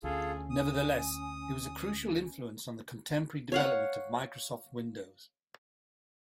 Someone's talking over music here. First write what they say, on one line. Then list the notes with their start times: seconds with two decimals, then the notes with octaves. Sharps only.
Nevertheless, it was a crucial influence on the contemporary development of Microsoft Windows.
0.04 D2 C#4 F4 G#4 A4
0.50 D#6
3.52 C#5 F5 F#5